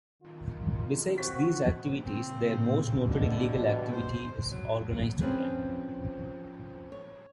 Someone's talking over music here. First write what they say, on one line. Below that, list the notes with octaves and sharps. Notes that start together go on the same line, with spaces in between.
Besides these activities, their most noted illegal activity is "organized crime".
D#3 F4
C4 F#4 B6
A#2 C#3 C4
G2 B2 D3 G#3
C5
F#3
F3 C4 C#4 F4 G#4 B4
C#5